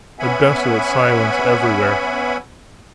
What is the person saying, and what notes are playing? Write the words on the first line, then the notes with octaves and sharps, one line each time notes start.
A desolate silence everywhere.
B3 C#4 E5 F#5 G#5 B5